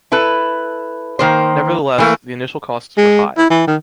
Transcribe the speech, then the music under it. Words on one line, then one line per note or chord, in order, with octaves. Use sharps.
Neverthless, the initial costs were high.
E4 A4 B4
D#3 A#3 C5
E3 A3 A#3
G#3
E4
E3
D#3